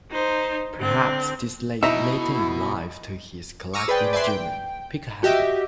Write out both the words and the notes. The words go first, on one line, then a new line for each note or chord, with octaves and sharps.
Perhaps this led, later in life, to his collecting German "Pickelhauben".
D#4 C5
D3 C4
B2 D#4 E4 E5 A#5
C#6 D6 E6 F6 A#6 D#7
G#4 B4 C5 D5 G5
B4 D5 E5 G#5 C6
G5
F#4 G4 D#5 E5